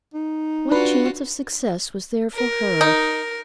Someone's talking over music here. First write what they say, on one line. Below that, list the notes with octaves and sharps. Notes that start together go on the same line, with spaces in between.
What chance of success was there for her?
D#4
D4 F4 F#4 B4
A#4
D#4